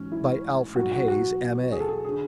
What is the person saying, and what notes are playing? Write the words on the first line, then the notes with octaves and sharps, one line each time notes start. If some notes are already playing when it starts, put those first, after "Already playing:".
By Alfred Hayes, M.A.
Already playing: A1 G#2 F#3 C#4
E4
B1 B2 F#3 F#4
F#4
F#4
G#4
A4
G#4
D3 G#4